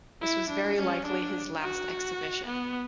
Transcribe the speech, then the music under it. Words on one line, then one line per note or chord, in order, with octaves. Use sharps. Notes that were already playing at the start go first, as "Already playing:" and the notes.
This was very likely his last exhibition.
E4
D4
C#4
D4
F#4
B3